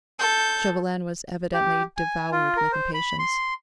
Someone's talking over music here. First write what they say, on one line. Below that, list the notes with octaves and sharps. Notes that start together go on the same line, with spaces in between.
Chauvelin was evidently devoured with impatience.
A4 G6
G4
G#5
F4
A#4
C5
B5
C6